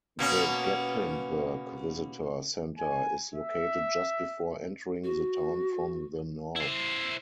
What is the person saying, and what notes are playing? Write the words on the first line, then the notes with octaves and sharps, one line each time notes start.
The Gatlinburg visitor center is located just before entering the town from the north.
B2 A#3 C#4
G#5
E5
F#4
E4 C5